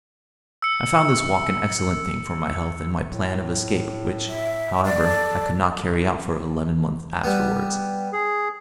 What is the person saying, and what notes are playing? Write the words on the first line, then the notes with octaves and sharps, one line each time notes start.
I found this walk an excellent thing for my health and my plan of escape, which, however, I could not carry out for eleven months afterwards.
E6 C#7
A2
E5
D5
A4
G3 B3
G#4